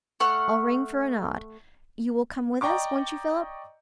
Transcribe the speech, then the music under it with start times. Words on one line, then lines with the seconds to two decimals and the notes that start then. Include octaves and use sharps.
I'll ring for Arnaud. You will come with us, won't you, Philip?'
0.20 A3 F#5 F6
2.61 D5 D#5 G5 A#5 C#6 D6